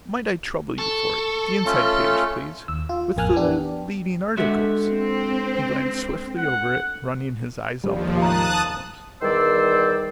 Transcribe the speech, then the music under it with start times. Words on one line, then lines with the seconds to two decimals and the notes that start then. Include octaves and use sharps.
"Might I trouble you for it--the inside page, please, with the leading articles?" He glanced swiftly over it, running his eyes up and down the columns.
0.78 A4 C#6
1.66 A3 C#4 F4
2.68 D#2 E6
2.89 F4
3.16 A1 F2 A#3 G#5 F6 F#6
3.36 B3 D4 G4
4.37 D3 G#3 F#4 G4 E5
4.89 C4
6.37 F#5
7.84 D#2 F3 G3
8.18 F5 A5 A#5 D#6 F#6
9.22 E2 D#3 G3 C5 D5 E6